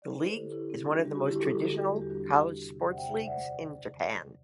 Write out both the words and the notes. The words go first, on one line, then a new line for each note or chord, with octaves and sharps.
The league is one of the most traditional college sports leagues in Japan.
D5
C5
B4
A4
D3 E4 G4
A4
D3 E4 G4
G3 C4 E4
D4
G3
D4 F#4
G3 G4
F#4
D3 E4 G4
G4
G3 F#4 A4
D3
G3
E2
G4
G3 D4 F#4
E2
E2
C3
E2 C5 E5
D5 F#5
C3 E5 G5
D2 C5 E5
D5 F#5